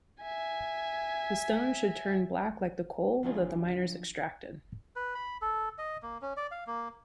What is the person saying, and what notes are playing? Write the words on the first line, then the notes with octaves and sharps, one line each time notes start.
The stone should turn black like the coal that the miners extracted.
E5 G#5
D3 F3 F#3 D4 F4 G#4
B4
B5
A4
D#5
A#3
C#4
D5
F5
A#3